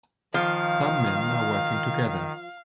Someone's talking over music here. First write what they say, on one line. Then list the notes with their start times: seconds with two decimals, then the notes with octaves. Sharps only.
Some men are working together.
0.34 D#3 F3 F5